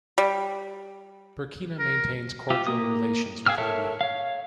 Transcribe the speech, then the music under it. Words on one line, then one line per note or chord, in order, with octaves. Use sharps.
Burkina maintains cordial relations with Libya.
G3
A#4
F4 G4 E5
A#3 D#6
G#4 F5 G5 E6 F6
A4 A#4 C#5 E5 A5
C#5 F5